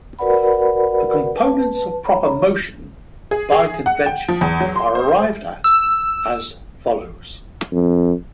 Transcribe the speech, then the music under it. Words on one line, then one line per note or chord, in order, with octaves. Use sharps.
The components of proper motion by convention are arrived at as follows.
F#4 A#4 B4 D5 F#5 B5
B4 A5
C#5 A#5 B5
G#4
G#4
F#5
G5
F3
E2
F#3
C6
C5
E6
F2